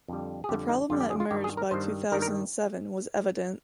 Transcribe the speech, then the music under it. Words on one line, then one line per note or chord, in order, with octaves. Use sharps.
The problem that emerged by two thousand and seven was evident.
F2 D3 G3
G#4
F2 D3 G3 G4
D#4
F2 D3 G3 F4
G4
G#4
F4
G2 D#3 G3 G4
G#4
A#4
G2 D#3 G3 C5
G2 D#3 G3 A#4
A#4